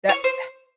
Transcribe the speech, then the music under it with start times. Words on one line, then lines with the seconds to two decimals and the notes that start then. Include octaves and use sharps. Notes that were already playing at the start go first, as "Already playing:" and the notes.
that eh
0.09 C#5
0.24 C5